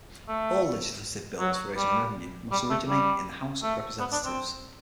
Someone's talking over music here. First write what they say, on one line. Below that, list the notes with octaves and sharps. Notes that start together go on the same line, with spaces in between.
All legislative bills for raising revenue must originate in the House of Representatives.
A3
F#3
G3
G3
A3
G3
A3
B3
D4
C4